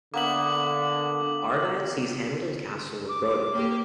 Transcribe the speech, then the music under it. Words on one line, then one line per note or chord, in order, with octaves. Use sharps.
Argyll seized Hamilton's castle of Brodick.
D3 A#3 B3 E5 D6 F#7
D6
A#3 G4